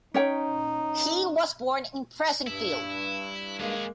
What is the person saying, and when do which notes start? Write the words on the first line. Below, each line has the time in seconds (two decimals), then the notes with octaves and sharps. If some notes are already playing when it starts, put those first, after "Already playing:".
He was born in Fressingfield.
0.14 C#4 D#4 C#5 G5
2.47 G2 E4
3.59 D#2 G#3 A#3 G#4